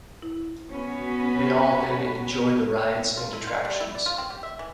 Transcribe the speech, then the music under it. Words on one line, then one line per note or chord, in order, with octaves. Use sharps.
They all then enjoy the rides and attractions.
E4
B3 C#4 F#4 B4
F4
E4
F4
G3
E4
D5
F4
C4
G4
E5
E3